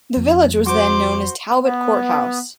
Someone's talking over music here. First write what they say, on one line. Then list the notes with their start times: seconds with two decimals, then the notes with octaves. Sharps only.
The village was then known as "Talbot Court House".
0.17 F2
0.66 F#4 C5 C6 D6
1.63 B3